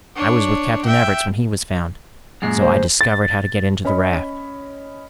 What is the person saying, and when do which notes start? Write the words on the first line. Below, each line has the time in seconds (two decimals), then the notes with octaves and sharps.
I was with Captain Everts when he was found, so I discovered how to get into the raft.
0.15 D4 C#5
0.85 E5 G5
2.42 F#2 A#2 G#3
2.60 C5
3.01 A6
3.85 C#4 C#5 D#5 B5